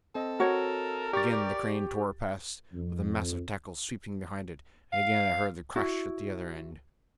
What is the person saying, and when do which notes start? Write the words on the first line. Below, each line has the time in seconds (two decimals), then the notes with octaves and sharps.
Again the crane tore past, with the massive tackle sweeping behind it, and again I heard the crash at the other end.
0.15 C4 A4 D#5
0.40 F#4 A#4 C#5
1.13 G4 D5 C#6 A6
2.74 F2
4.92 F5
5.76 E4 F#4